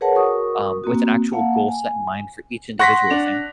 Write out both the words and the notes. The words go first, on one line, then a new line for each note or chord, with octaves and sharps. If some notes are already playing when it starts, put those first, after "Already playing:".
um, with an actual goal set in mind for each individual thing,
G#4 A#4 B4 C#5 F#5 A5
F#4 A#4 C#6 D#6
A#3 C4 F#4
A#3 F5 F#5 A5
G#5
F#5 C6 C#6 F#6 A#6 B6
D4 F7